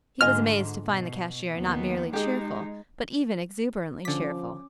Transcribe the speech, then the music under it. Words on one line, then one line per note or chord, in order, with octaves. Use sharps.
He was amazed to find the cashier not merely cheerful, but even exuberantly cheerful.
G#2 D3 F4 D#5 G#5 F6
B2
D#2 B3
G#3 D#4 G4 G#4
D3 F3 C#4 D6 B6